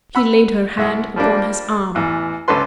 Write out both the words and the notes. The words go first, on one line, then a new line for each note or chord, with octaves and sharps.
She laid her hand upon his arm.
F#5 B5 E6
C2 E5 F#5
F3 G3 A#3 D4
A1 E2
C#2 D3 C#4 A4 B4 C6